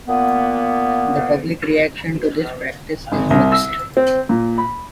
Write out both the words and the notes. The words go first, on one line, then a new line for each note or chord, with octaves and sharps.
The public reaction to this practice is mixed.
A#2 A#3 B3
G#1
C2
E6
C4
A#2
B5